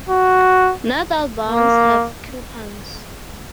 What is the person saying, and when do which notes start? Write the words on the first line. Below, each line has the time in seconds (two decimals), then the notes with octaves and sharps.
Not all bonds have coupons.
0.09 F#4
1.45 A#3